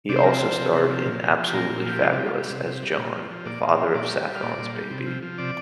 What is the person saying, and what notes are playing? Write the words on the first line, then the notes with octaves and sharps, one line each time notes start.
He also starred in Absolutely Fabulous as John, the father of Saffron's baby.
C3 D5
C5
A#4
F3
C5
F3
C3
C3
F3
A#2
F3
F3
G4
A#2 A#4
A#2
F3 G4
C3 F4
D4
G3
F4
G3
C3
C3
G3
A#2
F3
F3
A#2 D5
A#2
F3
A#2 D5
G3
G3
F5
A#2 D5
A#2
G3
C3
F3
F3
C3 D5